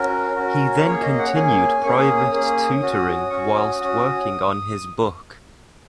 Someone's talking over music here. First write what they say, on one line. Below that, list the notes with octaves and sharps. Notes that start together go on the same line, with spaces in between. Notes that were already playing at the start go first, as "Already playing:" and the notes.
He then continued private tutoring whilst working on his book.
Already playing: C#4 F#4 A#4
C#4 F#4
A#3 C#4 G#4 C#5
D#5
F#5
A#3 C#4 G#4 G#5
A#3 C#4 G#4 C#6
D#6
D#6
A#3 C#4 G#4
C#4 F#4
C#4 F#4 C#6
D#6
C#4 F#4